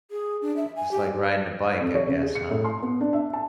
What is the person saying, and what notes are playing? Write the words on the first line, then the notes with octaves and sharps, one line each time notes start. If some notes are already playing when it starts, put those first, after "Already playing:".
It's like riding a bike, I guess, huh?
G#4
D4
E5
G#5
G4
F2
C#5
C#3
G#4
C#7
A2
C6
B3
D4
E5
A5